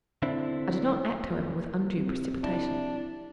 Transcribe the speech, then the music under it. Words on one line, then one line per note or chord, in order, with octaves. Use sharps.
I did not act, however, with undue precipitation.
D3 C4 D4 E4
F3 A#3
C3
D4 E4